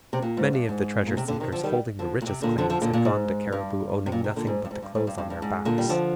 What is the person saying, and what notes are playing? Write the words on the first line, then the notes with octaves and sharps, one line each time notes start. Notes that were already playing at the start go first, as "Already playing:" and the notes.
Many of the treasure-seekers holding the richest claims had gone to Cariboo owning nothing but the clothes on their backs.
C3
A#2
G#2
G2
G#2
A#2
C3
A#2 D3
C3 D#3
D3 F3
D#3 G3
D3 F3
A#2
C3
A#2 D3
D3 F3
D3 F3
A#2 D3
A#2
G#2
G2
C3
A#2
C3
A#2 D3
G#2
G2
G#2
G2
G#2
G2
G2
G2
G#2
A#2 D3
G3
D3 F3